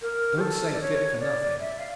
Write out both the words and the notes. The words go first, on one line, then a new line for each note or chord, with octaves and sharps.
"Don't say fit for nothing."
A#4
G4
A4
D5
C#5
D5
E5
F5